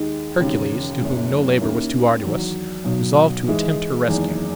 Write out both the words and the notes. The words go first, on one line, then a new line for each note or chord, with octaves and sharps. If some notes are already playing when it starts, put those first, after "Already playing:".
Hercules, to whom no labor was too arduous, resolved to attempt her rescue.
Already playing: D#2 D#3 G#3
E1 D#2 C#3
F#1 F#2 C#3
D#2 D#3 A#3 C#4 E4
E2 D#3 F#3
B1 B2 F#3
G#2 E3 G#3
F#1 E2 D#3 G#3